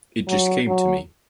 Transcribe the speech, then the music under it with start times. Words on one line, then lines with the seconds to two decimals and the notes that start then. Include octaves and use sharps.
It just came to me.
0.27 F#3
0.67 F#3